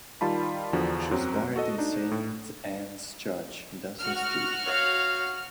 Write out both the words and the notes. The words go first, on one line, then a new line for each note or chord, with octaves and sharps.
She is buried in Saint Ann's Church, Dawson Street.
D#3 G3 F4 A5 B5
E2 D3 F3 F#4
F#2 F#3 C4
F#4 A4 D#5
D4 D#4
A2
F#4 F6
C#5 F5